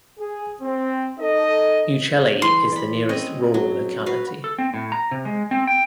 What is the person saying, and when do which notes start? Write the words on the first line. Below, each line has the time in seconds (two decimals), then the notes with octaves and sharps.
Uchaly is the nearest rural locality.
0.18 G#4
0.61 C4
1.19 D#4 A4 D#5
2.42 E3 C6
2.72 D5 B5
3.09 C4 C#4 D#5
3.54 F#3
4.06 F#4 B4 F5
4.44 A4
4.58 C4
4.74 A2
4.92 A#5
5.11 C3
5.25 G#3
5.51 C4
5.67 G5